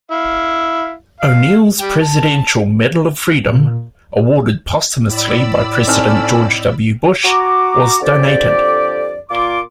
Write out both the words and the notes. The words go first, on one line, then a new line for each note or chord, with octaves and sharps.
O'Neil's Presidential Medal of Freedom-awarded posthumously by President George W. Bush-was donated.
E4 F5
F5
G3 G5
A5
A#2
A2 D5 B5 E6
C4 C#4 D#4 A4 F6
F#4 A#5 D6
F2 D3 G4 A4 D5
A#2 A#3 F4 C6 D6